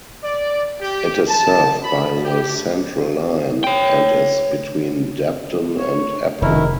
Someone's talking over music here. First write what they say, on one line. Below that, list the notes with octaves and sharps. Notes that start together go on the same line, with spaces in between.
It is served by the Central line and is between Debden and Epping.
D5
G4
A5
B5
G4
C#5 G5
C#5
F1 B2 D#3 E4 A#4